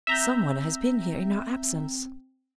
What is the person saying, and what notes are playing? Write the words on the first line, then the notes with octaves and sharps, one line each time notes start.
"Some one has been here in our absence."
C4 E5 A#5 G6